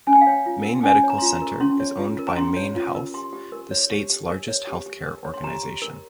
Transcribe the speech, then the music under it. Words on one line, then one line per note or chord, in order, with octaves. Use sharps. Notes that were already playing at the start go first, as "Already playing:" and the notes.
Maine Medical Center is owned by MaineHealth, the state's largest healthcare organization.
C#4 G#5
G5
F5
C#5 G5
F4
A#4
C#4 G#5
C#5
A#5
C6
F4 A#5
A#5
A#4
C#6
C#4 C6
C#5
F4
A#4
A#5
C#4 C6
C#5
F4
A#4
G4 C6
G4
A#4
C#5
G4
G4
A#4
C#5
G4
G4
A#4
C#5
C6
G4 A#5
G4
A#4